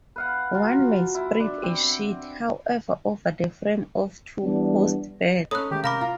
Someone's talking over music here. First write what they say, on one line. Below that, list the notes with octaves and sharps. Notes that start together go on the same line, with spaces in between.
One may spread a sheet, however, over the frame of a two-post bed.
B4 F5 F#5
F#3 F4
E4
D4
C4
E3 G3 B3 D4
C#4 D#4 A4 C#5 B5 D#6 F#6
D#3 G#3 A3 G4
C3 A#4 F5 B5 D6
F4 A#5